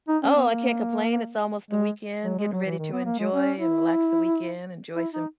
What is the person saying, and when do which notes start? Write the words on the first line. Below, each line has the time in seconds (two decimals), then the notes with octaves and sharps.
Oh, I can't complain, it's almost the weekend, getting ready to enjoy and relax the weekend, enjoy some
0.08 D#4
0.23 C#4
0.36 B3
0.49 A#3
1.71 G#3
2.24 F#3
2.38 G#3
2.52 F#3
2.65 E3
2.79 D#3
2.93 B3
3.06 A#3
3.19 G#3
3.33 C#4
3.60 E4
4.95 E4
5.13 D#4